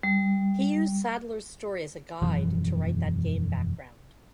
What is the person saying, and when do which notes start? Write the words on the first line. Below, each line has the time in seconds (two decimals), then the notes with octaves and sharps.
He used Sadler's story as a guide to write that game background.
0.03 G3
2.21 E1 F#2 E3 F3